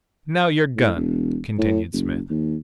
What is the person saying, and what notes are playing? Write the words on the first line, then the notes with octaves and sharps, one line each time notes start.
"Now your gun!" continued Smith.
A2
E1
A2
F#1
D#2